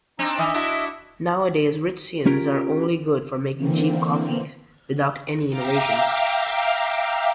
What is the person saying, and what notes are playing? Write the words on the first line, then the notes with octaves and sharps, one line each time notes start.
Nowadays Richesians are only good for making cheap copies, without any innovations.
C4 D4 D#4
D#3 D#5 E5
D4 E4 F#4
C#4 F4 G4 A#4
D3 E3 A#3 C4
E5 F5 G5 A#5 D6